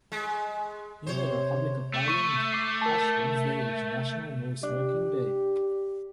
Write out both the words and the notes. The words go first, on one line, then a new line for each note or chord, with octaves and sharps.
In the Republic of Ireland, Ash Wednesday is National No Smoking Day.
G#3
C3 C5 C#5
A3
C#6 D#7
D6 C7
A#4 A5
D4 G4